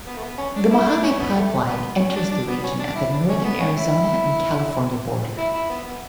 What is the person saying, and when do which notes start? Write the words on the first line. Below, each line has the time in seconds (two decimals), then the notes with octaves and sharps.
The Mojave Pipeline enters the region at the northern Arizona and California border.
0.07 B3
0.17 A3
0.23 B3
0.38 C#4
0.55 D4
0.71 E4
0.87 D4
1.04 C#4
1.19 B3
1.35 A3
1.67 B3
2.00 C#4
2.16 D4
2.31 D4
2.48 B3
2.64 C#4
2.80 D4
2.96 E4
3.12 D4
3.29 C#4
3.45 B3
3.60 C#4
3.77 E4
5.38 E4
5.54 E4
5.70 B3
5.86 B3